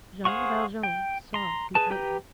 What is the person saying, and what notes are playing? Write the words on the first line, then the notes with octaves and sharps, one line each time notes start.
Jean Valjean saw the outlet.
G#4 C5 F5 F#5 C#6
G5
A#5 C6
G#4 B4 A5
G4 B4 G5 A#5 G6